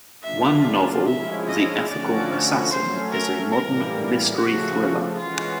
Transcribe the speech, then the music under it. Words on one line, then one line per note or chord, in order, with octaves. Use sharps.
One novel, "The Ethical Assassin", is a modern mystery-thriller.
C#3 F#3 A#3 D4 F4 E5
F3 G#3 C#4 E4 E5
D#5
D3 F3 A3 C#4 F#4 D5
F#3 A3 C#4 C5
A#4
A2 E3 G3 A#3 A#4
C#3 F3 A3 F#4
E3 G#3 C#4 F4 F#4